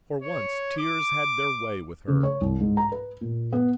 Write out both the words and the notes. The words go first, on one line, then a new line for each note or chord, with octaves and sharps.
For once tears had their way with her.
C#5
D6
C#3
C#5
C2
G#2
A#5
B4
A#2
B3